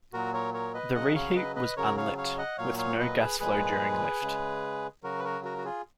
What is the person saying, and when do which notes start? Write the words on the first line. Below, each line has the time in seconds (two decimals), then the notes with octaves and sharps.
The reheat was unlit, with no gas flow during Lift.
0.13 A#2 F#3 F#4 A#4
0.34 A#4 C#5
0.54 A#4 C#5
0.74 B4 D#5
0.94 C#3 F#3 D#5 F#5
1.15 C#5 F5
1.36 B4 D#5
1.56 B4 D#5
1.77 C#3 F#3 A#4 C#5
1.97 C#5 F5
2.18 C#5 F5
2.38 D#5 F#5
2.58 A#2 F#3 C#5 F5
2.78 C#5 F5
3.00 B4 D#5
3.19 G#4 B4
3.40 A#2 F3 G#3 G#4 B4
4.22 C#3 G#3
5.03 C#3 F#3 F#4 A#4
5.19 B4
5.24 F#4 A#4
5.45 F#4 A#4
5.58 F#4
5.64 F4 G#4